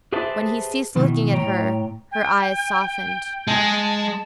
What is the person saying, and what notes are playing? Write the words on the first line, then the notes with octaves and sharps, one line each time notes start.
When he ceased looking at her, her eyes softened.
G4 G#4 B4 C5 E5 A5
B2 D#3 E3
A2 C#5 G5 A#5
G5
G#3 A5